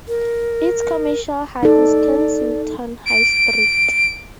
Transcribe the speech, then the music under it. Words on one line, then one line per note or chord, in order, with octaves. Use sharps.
Its commercial heart is Kensington High Street.
A#4
D#4 A4 D5
D7